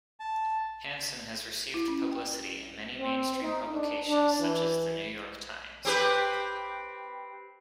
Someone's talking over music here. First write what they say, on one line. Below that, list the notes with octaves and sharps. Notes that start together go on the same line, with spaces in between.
Hanson has received publicity in many mainstream publications such as the "New York Times".
A5
E4
C#4
G5
C4
D#4
D4
D4
E3
C4 G4 B4